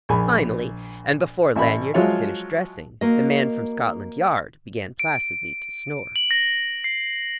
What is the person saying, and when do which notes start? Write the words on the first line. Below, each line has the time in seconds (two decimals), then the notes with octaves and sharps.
Finally, and before Lanyard had finished dressing, the man from Scotland Yard began placidly to snore.
0.09 A#1 G#4 G#5 B5
1.56 A1 E5 B5
1.94 F3 F#3 G#3 F4 C#5 E5
3.01 A#3 F#4 D#5
5.00 D7
6.16 F#7
6.31 A#6
6.84 C7